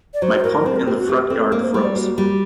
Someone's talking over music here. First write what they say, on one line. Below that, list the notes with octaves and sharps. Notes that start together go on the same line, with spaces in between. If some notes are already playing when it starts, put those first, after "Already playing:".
My pump in the front yard froze.
D5
F#3 C5
A2 A#4
C4 C5
A#4
C4 G4
F#4
A3 G4
C4 A4
A#3 A#4
C5
G3 C5
D5
A#3 F#4
G3 F#4